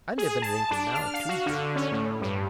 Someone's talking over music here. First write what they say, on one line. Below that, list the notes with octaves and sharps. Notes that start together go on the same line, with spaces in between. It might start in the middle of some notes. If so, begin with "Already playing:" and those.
I live in Lincoln now, too, Jim.
G#4
A5
D4
F6
F5
F#4
D3
C#4
A2
G2